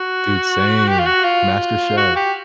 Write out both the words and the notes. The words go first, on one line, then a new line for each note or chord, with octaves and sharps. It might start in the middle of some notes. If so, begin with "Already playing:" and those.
Dude, same. MasterChef.
Already playing: F#4
G4
F4
F#4
F4
F#4
G4